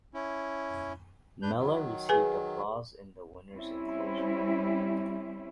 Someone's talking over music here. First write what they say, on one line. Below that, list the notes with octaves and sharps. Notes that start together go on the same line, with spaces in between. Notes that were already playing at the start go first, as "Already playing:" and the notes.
Mellah received applause in the winners enclosure.
C#4 E4
D4 B4 G6
D#3 F#3
G#4 B4 G#5
G3 C4 C#4 E4